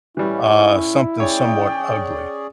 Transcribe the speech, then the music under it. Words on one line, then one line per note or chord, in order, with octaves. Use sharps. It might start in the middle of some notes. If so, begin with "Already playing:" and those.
uh, something somewhat ugly.
A2 E3 G3 C#4 E4
C#4 G#4 C#5 D5 G5